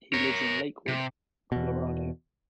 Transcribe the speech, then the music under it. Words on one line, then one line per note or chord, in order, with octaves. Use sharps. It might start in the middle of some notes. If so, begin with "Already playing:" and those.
He lives in Lakewood, Colorado.
A#4 C#5
C3
E2 B2